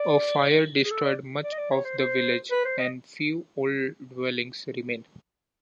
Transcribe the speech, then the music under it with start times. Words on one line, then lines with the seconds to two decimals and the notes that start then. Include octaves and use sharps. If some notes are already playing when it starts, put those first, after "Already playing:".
A fire destroyed much of the village, and few old dwellings remain.
Already playing: D5
0.84 G#4
0.91 A4
1.04 D5
1.44 D5
1.53 D#5
1.58 D5
1.71 C#5
1.85 C5
1.98 C5
2.52 B4
2.65 C5
2.79 D#5